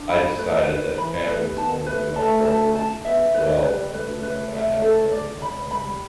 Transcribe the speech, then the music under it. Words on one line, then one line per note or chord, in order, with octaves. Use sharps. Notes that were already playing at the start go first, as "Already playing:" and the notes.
I decided that family was going to be my priority as well when I grew up and I had a family of my own.
Already playing: D4
B5
A3 B4
D3 B4
E3 B5
A3 B4
B3 A5
A3 B4
A3 A5
A5
A5
B3 E5
A3 B4
G3 B4
A3 B4
B4
E5
A4
D5
B5
G3 B5